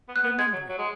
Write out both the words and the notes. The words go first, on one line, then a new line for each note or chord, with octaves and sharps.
Remember it.
B3
F#6
B3
G#3 G#6
F#3
F#3
G#3